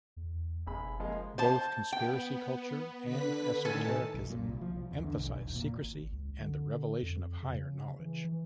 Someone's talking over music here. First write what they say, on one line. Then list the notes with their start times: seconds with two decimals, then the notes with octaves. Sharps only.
Both conspiracy culture and esotericism emphasize secrecy and the revelation of higher knowledge.
0.17 E2
0.67 F#1 B1 G#4 B5
1.00 F3 G#3 A#3
1.38 C5 A5
1.92 B3 G5
3.04 D3 B4 B6
3.65 A2 D#3 A4 G#5 A5
4.14 B1
4.30 A#2
4.49 C2
4.61 F3
4.76 C2
4.91 E2
5.04 D3
5.19 B1
5.41 E1
5.55 A#2
5.83 G#1
6.12 C#2
6.40 D3
7.02 F2
7.43 C#3
8.00 E3
8.25 E3